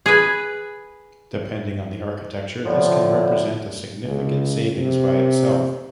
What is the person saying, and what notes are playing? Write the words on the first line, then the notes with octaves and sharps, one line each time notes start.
Depending on the architecture, this can represent a significant savings by itself.
G#4 B4
A2 D3 F3
C#2
C3